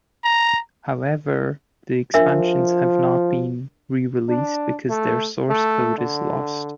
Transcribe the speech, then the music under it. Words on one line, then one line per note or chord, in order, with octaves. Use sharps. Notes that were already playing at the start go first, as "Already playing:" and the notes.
However, the expansions have not been re-released because their source code is lost.
A#5
F3 D4 A#4 E5
D4
A3
A3
D3